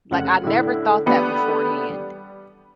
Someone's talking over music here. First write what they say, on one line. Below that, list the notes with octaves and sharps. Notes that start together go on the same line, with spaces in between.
Like, I never thought that beforehand.
F1 C#3 F#5
A2 D3 E4
A3 B3 D4 G4 A4 B4
G3